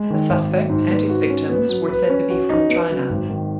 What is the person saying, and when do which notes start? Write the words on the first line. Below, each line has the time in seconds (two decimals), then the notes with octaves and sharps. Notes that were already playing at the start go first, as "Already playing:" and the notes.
The suspect and his victims were said to be from China.
Already playing: G#3
0.10 D#3
0.29 G#1
0.50 F#3
0.70 G#2
0.89 B3
1.09 F#4
1.30 C#4
1.49 B3
1.69 F#3
1.89 B4
2.09 C#4
2.30 F#4
2.50 D#4
2.69 B3
2.89 F#3
3.09 G#1
3.29 D#3